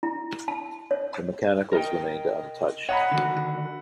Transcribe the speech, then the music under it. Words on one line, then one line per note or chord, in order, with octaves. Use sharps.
The mechanicals remained untouched.
E4
A5
C#5
A#4 D#5 G5
C#5 D#5 F#5 A#5 B5
D3 D#3 F#4